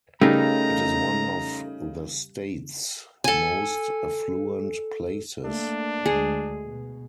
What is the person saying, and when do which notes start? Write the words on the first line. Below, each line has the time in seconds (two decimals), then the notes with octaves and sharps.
It is one of the state's most affluent places.
0.21 C#3 G3 A3 D#4 G#4 A#4 A#5
3.24 A4 G#5
5.44 A3 A#3 D4
6.06 D2 G#3 G#4
6.65 B2